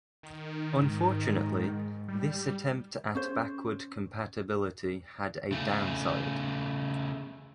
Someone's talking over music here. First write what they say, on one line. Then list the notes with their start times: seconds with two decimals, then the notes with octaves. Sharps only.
Unfortunately this attempt at backward compatibility had a downside.
0.23 D#3
0.78 G#2
2.08 G3
3.15 C#4 C5
5.52 C#3 A3